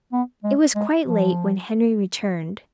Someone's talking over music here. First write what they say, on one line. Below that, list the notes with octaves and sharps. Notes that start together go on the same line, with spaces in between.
It was quite late when Henry returned.
B3
G#3
G#3
F3